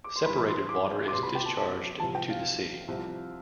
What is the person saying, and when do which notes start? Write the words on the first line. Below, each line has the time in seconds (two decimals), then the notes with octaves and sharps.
Separated water is discharged to the sea.
0.04 D6
0.16 C6
0.25 G2 E3 B5
0.47 C6
0.69 D6
1.08 D6
1.13 C2 B2 C6
1.23 B5
1.35 G5
1.46 A5
1.57 A5
2.00 C2 C3 F3 A5
2.15 G5
2.30 F5
2.88 C2 C3 F3